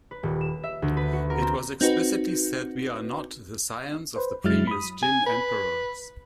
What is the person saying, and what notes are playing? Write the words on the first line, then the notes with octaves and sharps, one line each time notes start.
It was explicitly said we are not the scions of the previous Jin emperors.
B4
D#1
E7
E5
D2
B4
F#4
A#4
C4
C4 D#4 F#4 B4
B4 C5
F#2 F#3 G#3 E4 F6 A6
B5 D#6
G#5
B4